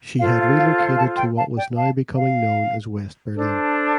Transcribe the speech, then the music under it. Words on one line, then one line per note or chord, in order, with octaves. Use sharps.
She had relocated to what was now becoming known as West Berlin.
F4 A4 C5 F5
F5
F5
F5
F5 A5
G5 C6
F5 A5
D5 G5
F5 A5
F5
D4 A4 C5